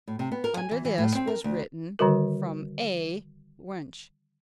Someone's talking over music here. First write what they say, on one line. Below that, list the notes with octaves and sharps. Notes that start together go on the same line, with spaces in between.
Under this was written, "From A. Wunsch."
A2
C3
B3
A#4
G#5
E3
E3
A2
C4
A#4
D2
D3 D#3 G3 F#4 A#4